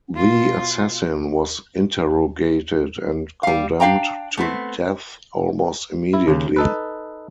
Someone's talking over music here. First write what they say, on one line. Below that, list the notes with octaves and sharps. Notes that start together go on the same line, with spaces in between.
The assassin was interrogated and condemned to death almost immediately.
B2 F4
G3 F5
D4 F5 G5 A#5
A3 B3 C4
E4
D#2 C#3
D#4 A4 B4